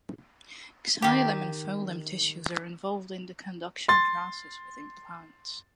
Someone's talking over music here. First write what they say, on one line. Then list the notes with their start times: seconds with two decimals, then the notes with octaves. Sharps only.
Xylem and phloem tissues are involved in the conduction processes within plants.
1.02 D#3 G4
3.88 C6 A6